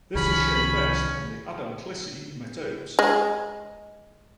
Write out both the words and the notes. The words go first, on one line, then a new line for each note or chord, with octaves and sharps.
This is shown best on the Adamklissi metopes.
C2 D#3 F3 C#4 B5
G#3